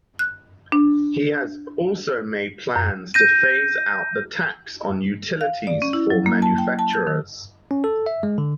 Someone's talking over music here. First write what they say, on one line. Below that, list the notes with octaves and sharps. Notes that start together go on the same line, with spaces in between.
He has also made plans to phase out the tax on utilities for manufacturers.
F#6
D4
F#2
G6 A#6 D#7
F5
D5
C#4
E4
F#3
A#3
A5
G5
A5
G6
D#3
C#4
A4
E5
G#3
D3